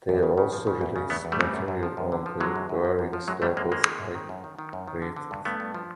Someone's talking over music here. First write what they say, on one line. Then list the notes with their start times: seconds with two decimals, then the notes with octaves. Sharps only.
They also released material on the various labels Ike created.
0.09 E2
0.23 C#3
0.38 C#3
0.52 F3
0.67 C#3
0.81 E2
0.96 C#3
1.10 E2 A3 B3
1.25 E2
1.32 G3 A3
1.39 C#3
1.54 F#2
1.68 F#2
1.83 F3
1.97 F#2
2.12 D3
2.26 F3
2.41 D3 F#3 G#3
2.56 F#2
2.69 F#2
2.85 F3
2.99 F#2
3.13 F3
3.28 F#2 F#3 G#3
3.42 F#2 G3 A3
3.57 F#2 G#3 A#3
3.72 D#3 G#3 A#3
3.85 D#3
4.00 F#2
4.15 D#3
4.29 F#2
4.44 D#3
4.59 D#3
4.73 F#2
4.88 D#3
5.02 D3
5.16 D3
5.31 G2
5.45 G2 A3 B3
5.60 G2
5.74 F3